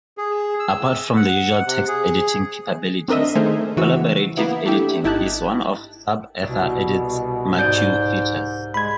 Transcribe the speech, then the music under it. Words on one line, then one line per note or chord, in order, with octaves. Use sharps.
Apart from the usual text-editing capabilities, collaborative editing is one of SubEthaEdit's marquee features.
G#4
E6
F#5
C3
G#4
C4 D4 A#4 D#5 E5
D#3 A3 D#4 G#4 A#4 C5
C#3 E3 F#4 E6
A#3 B3 E4
A3 D4 E4 G4 A4
G#1 D#4 E4 G4 A5 F#6
C2 B2
G#2 G#4 D5 G6
G#3 B5 G#6